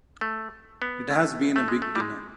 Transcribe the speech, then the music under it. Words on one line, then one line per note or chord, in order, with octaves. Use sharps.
It has been a big dinner.
A3
B3
A3
A3
G#3
A3
G3
G#3